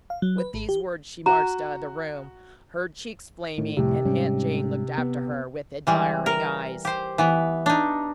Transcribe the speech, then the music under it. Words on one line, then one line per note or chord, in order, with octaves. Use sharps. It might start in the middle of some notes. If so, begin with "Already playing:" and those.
With these words she marched out of the room, her cheeks flaming, and Aunt Jane looked after her with admiring eyes.
F5
F#3
B4
G#1
G4
F#4 A#5
A2 D#3
F1 A2 C3 G3
G#2 G3 C#4
B3
E3 G3 G#3
A#4
G4 C5
E3 B3
D4 D#4